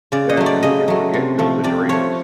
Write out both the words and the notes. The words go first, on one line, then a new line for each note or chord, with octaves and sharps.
then who can forget Field of Dreams?
C#3 D5
D#5
F#3 A3
D5
C#3 D#5
F#3 A3
C3
F3 A3
C3 D5
F3 A3 C#5